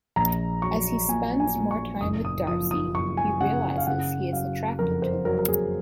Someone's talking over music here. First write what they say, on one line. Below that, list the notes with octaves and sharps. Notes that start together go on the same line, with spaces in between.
As he spends more time with Darcy, he realizes he is attracted to her.
A#1 A#5
F#3 C#6
A#2 G#5
G#5
A#2
C#6
F#1 D#6
D#6
F3 D#6
D#6
F#1 C#6
G#5
C#3 F#5
F5
C#3 F#5
F#3 F5
F2 A#4
C5
F#3 A#4
A#4
G#4